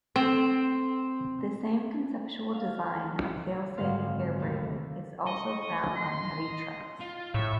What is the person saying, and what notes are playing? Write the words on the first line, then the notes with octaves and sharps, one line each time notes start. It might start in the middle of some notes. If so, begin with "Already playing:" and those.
The same conceptual design of fail-safe air brake is also found on heavy trucks.
C4
F5
G#1 F#2 D3 F5 C6
D#2 C3 A3 B4
D#5 C#6
C6
F4
A2 E5 C#6